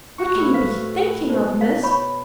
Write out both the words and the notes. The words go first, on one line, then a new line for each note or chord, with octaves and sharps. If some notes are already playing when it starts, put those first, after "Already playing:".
What can you be thinking of, Miss?
F#4 C#6
A2
B4 C5 F5
B2 C5
F5
C#5 B5 C#6